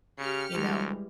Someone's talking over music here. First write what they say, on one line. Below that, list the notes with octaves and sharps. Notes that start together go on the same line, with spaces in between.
you know,
C#3 G4 F6 C#7
D2 E3 G3 G#3